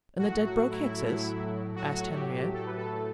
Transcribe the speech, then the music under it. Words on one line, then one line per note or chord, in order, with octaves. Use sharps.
"And the Dedbroke-Hickses?" asked Henriette.
A2 F#3 A3 F#4
F#4
E4
A2 F#3 A3
A2 F#3 A3 F#4
F#4
G4
G4
A2 F#3 A3 A4
B4
A4